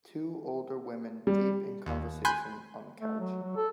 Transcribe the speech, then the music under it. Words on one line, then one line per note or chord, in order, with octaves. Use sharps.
Two older women deep in conversation on the couch.
G3
D#2
G#5 B5 C6 F#6 G6
A3
F#3
F#3
A4